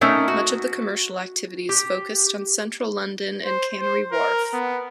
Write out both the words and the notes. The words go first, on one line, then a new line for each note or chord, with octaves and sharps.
Much of the commercial activity is focused on Central London and Canary Wharf.
A3 C#4 D#4 A#4
F#4
G4
C5
C5
A#4
B3